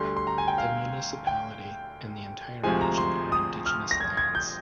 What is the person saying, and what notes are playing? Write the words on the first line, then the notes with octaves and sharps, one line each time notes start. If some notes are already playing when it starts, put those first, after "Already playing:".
The municipality and the entire region are indigenous lands.
Already playing: D2 D3 G3 C6
C6
A#5
G#5
G5
F5
G5
D2 C3 F3 G#3 G#5
A#5
C6
D#6
F6
A#6
G#6
G#6
G6